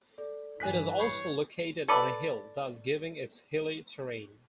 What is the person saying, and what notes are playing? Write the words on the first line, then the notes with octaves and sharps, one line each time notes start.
It is also located on a hill thus giving its hilly terrain.
A4 D5
G2 E3 G#5 F#6 B6
C#5 B5 C#6 G6 C7 C#7
A4 B4 D5